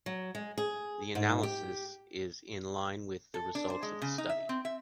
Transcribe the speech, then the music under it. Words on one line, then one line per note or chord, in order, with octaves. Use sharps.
The analysis is in line with the results of the study.
F#3
G#3
G#4
G#2
G4
A4
D4
C5
G#3
C#3
D#4
E5
C4
E5